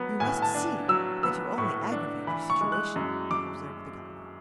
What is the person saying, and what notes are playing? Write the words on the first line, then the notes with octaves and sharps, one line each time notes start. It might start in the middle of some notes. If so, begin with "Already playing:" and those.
"You must see that you only aggravate your situation," observed the governor.
Already playing: F#3 B3
A2 G#5
A5
D4
F#3 E6
B3 E6
A2 C#6
D4
E3 B5
C#6
G#3
F#6
F#2
F#2 D6